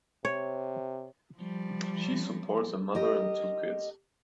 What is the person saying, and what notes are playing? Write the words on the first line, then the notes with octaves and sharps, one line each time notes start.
She supports a mother and two kids.
C3 C#5
F3 G3
G4 A#4 D#5